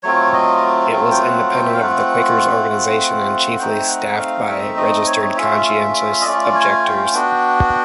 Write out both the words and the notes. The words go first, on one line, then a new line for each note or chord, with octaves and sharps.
It was independent of the Quakers' organisation and chiefly staffed by registered conscientious objectors.
F#3 A3 C4 F4 C#5
D#5
F#3 A3 C4 F4
G5
F#5
G5
E5
F5
A3 C4 F4 F#5
A3 C4 F4
A3 C4 D#4 G5
F#5
F5
A3 C4 D#4 E5
D#5
C#5
A3 C#4 F4 E5
E5
E5
D#5
A3 C#4 F4 D5
G#5
G5
B3 D4 F#4